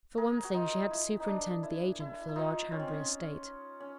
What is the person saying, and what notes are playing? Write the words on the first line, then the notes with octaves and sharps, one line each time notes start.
For one thing, she had to superintend the agent for the large Hanbury estate.
G#4 A#4
F#4
D#4 F4
E4
D#4
D4
E4
E4
E4
D#4 F4
C#4
C4
C#4
C#4